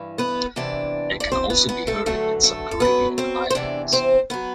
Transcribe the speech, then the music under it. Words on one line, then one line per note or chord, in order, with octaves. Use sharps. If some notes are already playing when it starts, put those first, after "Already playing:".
It can also be heard in some Caribbean islands.
Already playing: G2 E3
B3 B4
E2 C3 E3 D4 D5
D5
F#2 E3 C4 C5
B3 B4
B3 B4
A3 A4
E2 D3 F#3 A3 A4
A3 A4
A4
F#2 F#3 B3 B4
C4 C5
C5
E2 C3 E3 D4 D5
C4 C5
F#3 B3 B4